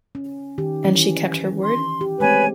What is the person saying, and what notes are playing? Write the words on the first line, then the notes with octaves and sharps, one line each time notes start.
And she kept her word?
C#4
D#3 G4
E3 C#4
C6
G4
G#3 A3 C4 B4 C#5 G#5